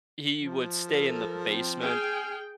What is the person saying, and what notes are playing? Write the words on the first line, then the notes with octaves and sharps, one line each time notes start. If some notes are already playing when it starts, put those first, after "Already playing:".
he would stay in the basement
F3
A4 A#4
C4
G#4 G5 F6